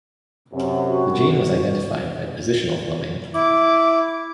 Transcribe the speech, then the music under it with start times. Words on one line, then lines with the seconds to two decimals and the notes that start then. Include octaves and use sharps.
The gene was identified by positional cloning.
0.53 F#2 C3
0.87 F#4
3.34 E4 D6